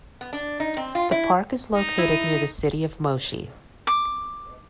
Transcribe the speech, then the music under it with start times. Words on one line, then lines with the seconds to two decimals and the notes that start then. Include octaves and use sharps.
The park is located near the city of Moshi.
0.21 B3
0.33 D4
0.60 D#4
0.77 C4
0.95 F4
1.12 E4
1.73 D#4
1.98 E4 D#7
3.87 D6